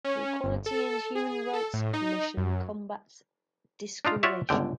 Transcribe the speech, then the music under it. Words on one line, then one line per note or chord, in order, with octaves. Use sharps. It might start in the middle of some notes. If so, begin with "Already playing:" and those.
The Equality and Human Rights Commission combats discrimination.
C#4
G1
A4
G#4
A4
A2
D#4
F#2
D4 D#4 F4 F5
F4 F#4 C#5 D5 E5
G1 C#2 D3 G5